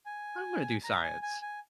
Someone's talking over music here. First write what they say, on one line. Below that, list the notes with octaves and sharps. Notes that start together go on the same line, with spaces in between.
"I'm gonna do science,"
G#5
A#5
G#5
G#5
G#5